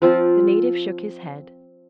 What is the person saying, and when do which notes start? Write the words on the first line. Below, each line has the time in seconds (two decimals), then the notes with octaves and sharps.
The native shook his head.
0.02 F3 C4 F4